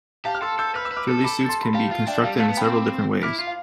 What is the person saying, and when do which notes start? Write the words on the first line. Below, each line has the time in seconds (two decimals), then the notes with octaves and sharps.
Ghillie suits can be constructed in several different ways.
0.25 G4 F5 A5
0.35 F6
0.41 A4 C6 E6
0.59 A4 E6 G6
0.75 B4 F6
0.85 E6
0.91 B4
0.97 D6 F6
1.08 A4
1.24 B5 D6
1.49 A5 C6
1.62 B5
1.74 G4 F5 A5
1.91 F4 F5
2.07 D4 E5 G5
2.23 G3 F5 A5
2.36 A3 F5 A5
2.49 B3
2.57 G5 B5
2.60 C4
2.73 B5 D6
3.23 E4 D6 F6
3.39 F4
3.47 F5